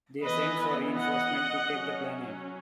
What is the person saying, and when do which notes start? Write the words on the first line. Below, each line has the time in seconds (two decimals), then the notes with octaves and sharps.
They send for reinforcements to take the planet.
0.22 E3 B3 B4 D#5
0.96 D#5 F#5
1.69 F#3 C#4